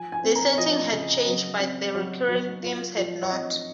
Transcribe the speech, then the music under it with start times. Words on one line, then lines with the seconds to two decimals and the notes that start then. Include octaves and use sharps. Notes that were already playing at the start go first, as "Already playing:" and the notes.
The setting had changed but the recurring themes had not.
Already playing: F3 G#5
0.12 G#5
0.24 C4
0.35 A#5
0.53 C#5
0.58 F3 D#5
0.92 C#3
1.26 F#3
1.60 C4
1.95 F#3 C#5
2.28 F#3
2.63 F4
2.97 F3
3.23 C#5
3.30 C4 D#5